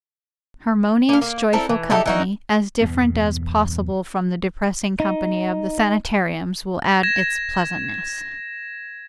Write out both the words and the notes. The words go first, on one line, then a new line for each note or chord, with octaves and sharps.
Harmonious joyful company, as different as possible from the depressing company of the sanitariums, will add its pleasantness.
A#3 F5
A#3
C4 E4 A4 A#4
E3
D#4 E4 G4 A4
E3 D#4 F#4
E2 G2 B2 B3
D#4
G#6 A#6 E7